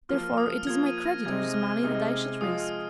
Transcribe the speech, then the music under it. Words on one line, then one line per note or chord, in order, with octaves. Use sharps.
Therefore, it is my creditors' money that I should risk.'
F3 A#3 F4 F6
F6
D#6
F6
F3 A#3 F4 G#6
D#7
A#6
C3 G#3 C4 D#4 G#6
F6
C3 G#3 C4 D#4 F6
F6
F3 G#3 F4 D#6
F6